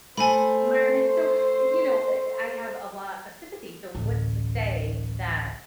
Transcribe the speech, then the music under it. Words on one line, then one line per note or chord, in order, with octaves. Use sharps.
environment. So, you know, eh, I have a lot of sympathy. So, what's to say, that
A3 C5 G#5 B5
A1 D2